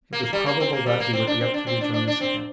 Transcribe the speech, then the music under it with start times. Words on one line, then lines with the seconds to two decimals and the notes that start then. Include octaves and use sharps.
It was probable that he would be up to rejoin us again.
0.13 A#3
0.23 A#3
0.33 G3
0.46 A#3
0.60 C4
0.73 A#3
0.86 G3
1.00 A#3
1.13 C4
1.27 D4
1.41 C4
1.54 D4
1.67 C4
1.81 D4
1.94 D4
2.08 D4
2.21 C4